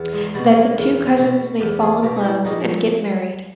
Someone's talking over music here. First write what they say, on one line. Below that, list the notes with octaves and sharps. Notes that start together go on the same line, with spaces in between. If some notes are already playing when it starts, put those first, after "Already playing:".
That the two cousins may fall in love, and get married.
Already playing: E2
G#3
B2 G3
A#3
E2
B2
E2 G4
G#4
B2 G4
D#4
E4
A#1 D#4